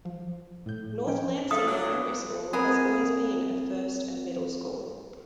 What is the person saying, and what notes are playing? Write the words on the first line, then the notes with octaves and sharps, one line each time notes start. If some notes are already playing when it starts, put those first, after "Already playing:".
North Lancing Primary School has always been a first and middle school.
F3
A2 G6
F3 C#4 G5
D3 G#4 A4 E5 F5 D#6
F#3 D4
B3 C4 G#4 A#4